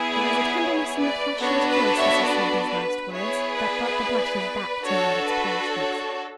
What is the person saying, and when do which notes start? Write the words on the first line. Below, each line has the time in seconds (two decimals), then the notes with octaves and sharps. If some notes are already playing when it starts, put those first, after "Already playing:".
There was a tenderness in the cashier's voice as he said these last words, that brought the blushes back to Margaret's pale cheeks.
Already playing: B3 E4 G#4
0.11 B4 D5
0.55 C#5
0.97 B4 D5
1.40 B3 D4 F#4 A4 C#5
1.68 B4
1.97 C#5 E5
2.26 B4 D5
2.70 B4
3.12 B3 E4 G#4 C#5
3.54 B4 D5
4.84 D4 F#4 A4 C#5
5.27 B4
5.70 C#5